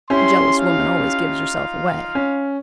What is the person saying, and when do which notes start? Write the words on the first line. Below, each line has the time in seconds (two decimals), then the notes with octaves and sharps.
A jealous woman always gives herself away.
0.10 C#4 E4 G4 C6
0.58 D#4 F4 F5
2.15 C#4